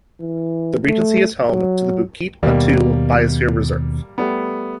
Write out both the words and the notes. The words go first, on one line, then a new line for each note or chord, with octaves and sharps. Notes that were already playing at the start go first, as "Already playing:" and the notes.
The regency is home to the Bukit Batu Biosphere Reserve.
E3
A3
F#3
D#2 B2 G3 A#3
G3 A3 B3